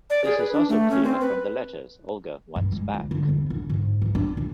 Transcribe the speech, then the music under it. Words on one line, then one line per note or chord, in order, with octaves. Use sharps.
This is also clear from the letters Olga wants back.
D5
G#4
B4
D4
A3
C#4
C4
B4
G2
G#3
D2
D3
E2
D3
G#2
E3
D4
D#2